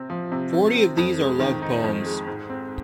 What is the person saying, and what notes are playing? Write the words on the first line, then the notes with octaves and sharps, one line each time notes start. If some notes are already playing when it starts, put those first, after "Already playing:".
Forty of these are love poems.
Already playing: C3 C4
F3
C3
C3
C4
F2
G#3
D#3
D#4
F2
G#3
G#2
C4